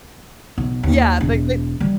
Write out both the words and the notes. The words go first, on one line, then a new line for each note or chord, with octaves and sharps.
Yeah, like they
B1
D#2
E1
D#3 G3